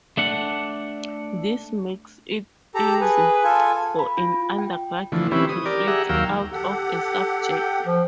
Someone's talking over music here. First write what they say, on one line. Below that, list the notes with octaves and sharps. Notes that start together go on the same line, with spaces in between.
This makes it easy for an undergraduate to switch out of a subject.
A3 D4 F#5
G4 A4 A#5
G#4 B4
F4 A4 G#5
B5
F4
G5
D3 E3 F3 A3
E3 C4 C#4 E4 G4 B4
D#6
G4 A#4 D5
G4 G#4 E5 F#5 A#5
D#2 F#3 A#4 F5 G5 E6
G4 A4 F#5
G5
F3